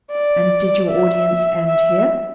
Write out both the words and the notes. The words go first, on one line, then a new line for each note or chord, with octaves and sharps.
'And did your audience end here?'
D5
E5
E5